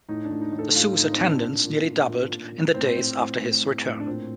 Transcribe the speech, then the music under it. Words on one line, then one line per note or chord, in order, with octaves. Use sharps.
The zoo's attendance nearly doubled in the days after his return.
A2 D#4
D4
A2
D#4
A2
A4
A2 F4
A2 D#4
C4
A2 D4
A#2
A#2
A#2
A#2
A#2
A#2
A2 C4
A2
A2
A2
A2
A2
D4
A#2 C4